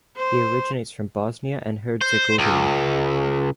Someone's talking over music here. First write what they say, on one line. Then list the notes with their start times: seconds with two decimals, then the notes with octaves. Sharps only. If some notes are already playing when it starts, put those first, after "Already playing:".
He originates from Bosnia and Herzegovina.
0.17 C5
2.02 C5
2.39 C#2